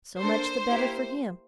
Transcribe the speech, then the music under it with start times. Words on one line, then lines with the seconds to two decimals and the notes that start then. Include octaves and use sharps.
So much the better for him.
0.21 A#3 D4 A4 C5
0.67 A#3 E4 G4